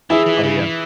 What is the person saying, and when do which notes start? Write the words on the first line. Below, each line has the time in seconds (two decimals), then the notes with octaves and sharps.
Oh, yeah.
0.10 E3 E4 G#4
0.27 E3
0.44 C#3
0.60 E3